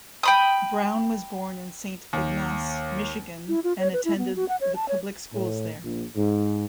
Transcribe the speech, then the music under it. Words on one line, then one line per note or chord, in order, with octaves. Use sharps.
Brown was born in Saint Ignace, Michigan and attended the public schools there.
G5 B5 D#6
D#2
E4
F4
C#5
B4
E4
B3
F#4
F#5
C#5
A5
C#5
A2
A#1
G#2